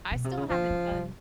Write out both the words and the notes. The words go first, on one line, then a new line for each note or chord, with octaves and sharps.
I still haven't done
B2
C3
C#3
D3 F3
C#3
C3